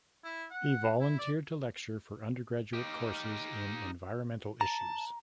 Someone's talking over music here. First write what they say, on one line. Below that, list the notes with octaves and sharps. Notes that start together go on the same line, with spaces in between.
He volunteered to lecture for undergraduate courses in environmental issues.
E4
F#5
E4
D5
D#4 G4
A5 A#5